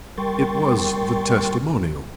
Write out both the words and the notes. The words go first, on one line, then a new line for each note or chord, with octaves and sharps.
It was the testimonial.
G3 A#4 G5 C6 C#6 A6